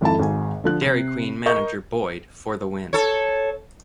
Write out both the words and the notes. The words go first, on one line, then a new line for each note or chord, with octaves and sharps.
Dairy Queen manager Boyd for the win!
G#1 F2 E4 A4 A5
G#1 G#2 G#5
D3 F3 F#6
C3 C7
A#4 D#5 C#6 G6
A4 C#5